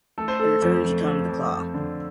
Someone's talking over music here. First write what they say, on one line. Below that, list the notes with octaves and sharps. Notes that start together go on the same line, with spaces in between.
In return, she taught him the 'Claw'.
A3 A4
C5
A3 A4
F2
A3
F2
F2
F2
D3